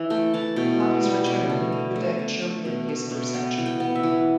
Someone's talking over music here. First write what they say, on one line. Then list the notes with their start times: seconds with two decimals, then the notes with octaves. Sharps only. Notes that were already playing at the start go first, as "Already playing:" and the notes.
Upon his return, Dudek showed him his new section.
Already playing: E3 E5
0.10 A3 G5
0.34 E3 A5
0.56 B2 G5
0.80 B3
1.03 G3
1.26 B2
1.50 A3
1.72 D3
1.96 A3
2.19 D3
2.42 A3
2.65 B2
2.89 A3
3.11 B2
3.34 B3 G5
3.58 E3
3.66 G5
3.80 B3
3.95 E5
4.03 E3